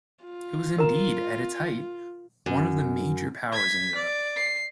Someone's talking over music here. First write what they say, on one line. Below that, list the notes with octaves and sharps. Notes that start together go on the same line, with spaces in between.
It was indeed, at its height, one of the major powers in Europe.
F4
A#4 A#5
F#2
G#6 B6
D5
C7